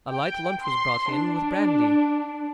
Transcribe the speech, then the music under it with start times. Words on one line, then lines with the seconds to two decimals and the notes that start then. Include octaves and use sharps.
A light lunch was brought in, with brandy.
0.11 G5
0.62 C6
1.14 D4